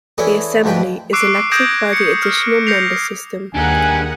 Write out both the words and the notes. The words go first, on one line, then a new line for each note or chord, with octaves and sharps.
The Assembly is elected by the Additional Member System.
E3 C#4 D4 E4 G#4 A4
D2 G#2 F3 B4 G5
C#6 D6 E6 F#6 C7 D7
D#6 G6 G#6 A#6 D7 E7
C#7
F6
G6 A#6 C7 C#7 F7
D#2 D4 G4 G#4 A#4 F#5 G#5